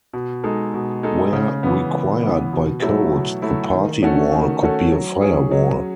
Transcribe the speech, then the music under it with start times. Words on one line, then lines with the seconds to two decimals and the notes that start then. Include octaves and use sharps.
Where required by code, the party wall could be a firewall.
0.13 B2
0.44 G#3 D#4 A4
0.74 B2
1.03 G#3 D#4 A4
1.33 C#3
1.63 E3 B3
1.93 C#3
2.23 E3 B3
2.53 B2
2.83 F#3 A3 E4
3.13 B2
3.42 F#3 A3 E4
3.72 D#3
4.02 A3 C#4 F#4 A4
4.32 D#3
4.62 A3 C#4 F#4 A4
4.92 F#3
5.22 C#4 G#4
5.51 F#3